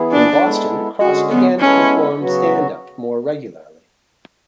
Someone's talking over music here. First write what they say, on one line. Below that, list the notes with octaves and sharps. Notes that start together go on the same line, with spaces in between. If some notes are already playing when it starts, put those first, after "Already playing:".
In Boston, Cross began to perform stand-up more regularly.
Already playing: E3 B3 E4 G#4
D4
G#3 B3 E4 A4
D3 G#3 C#4 F#4 G#4
B3
G#3 B3 C#4 E4 A4
C#3 F#3 B3 F#4